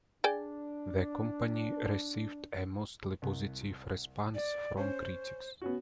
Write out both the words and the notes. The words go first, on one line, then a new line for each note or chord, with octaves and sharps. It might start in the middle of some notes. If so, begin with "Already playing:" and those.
"The Company" received a mostly positive response from critics.
D4 G#4 D5 G5
C2
D5
C#4 C5
B3 C#4 F#4